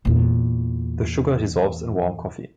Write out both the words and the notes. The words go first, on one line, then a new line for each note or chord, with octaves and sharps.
The sugar dissolves in warm coffee.
E2 A#2